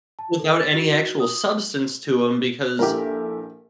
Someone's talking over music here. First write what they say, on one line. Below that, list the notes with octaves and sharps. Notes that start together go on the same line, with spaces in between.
without any actual substance to 'em, because
A5
A4
A6
F#4
D#6
A#1 E4 G4 A4 A#4